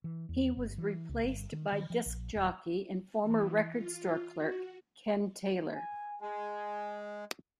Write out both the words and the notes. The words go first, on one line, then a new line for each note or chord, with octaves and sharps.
He was replaced by disc jockey and former record store clerk Ken Taylor.
E3
E2
G1
E3
C#2
G1
D#3
D#3
F3
A#1
D#1
E3
F4
F#4
G#5
G#3 G#5